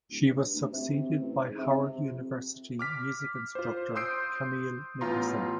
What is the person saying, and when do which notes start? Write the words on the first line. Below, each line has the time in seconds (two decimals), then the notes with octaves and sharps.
She was succeeded by Howard University music instructor Camille Nickerson.
0.10 D1
0.25 G2
0.54 D2
0.72 C3
0.92 C3
1.19 A1
1.42 G#2
1.58 C3
1.82 C3
2.02 F2
2.79 D6 F6 B6
3.55 F4 C5
3.95 C6 D#6 E6 G6 C7 D7
5.01 A1 B3 F4 A#5 C6